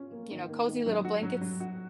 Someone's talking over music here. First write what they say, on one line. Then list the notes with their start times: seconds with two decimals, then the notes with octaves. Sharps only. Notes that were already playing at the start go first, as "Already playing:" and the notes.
you know, cozy little blankets
Already playing: C#4 F4
0.12 A#3
0.31 D#3
0.49 A#3
0.68 D#3
0.86 F#3
1.05 F#4
1.23 F#3
1.41 F#3
1.60 F#4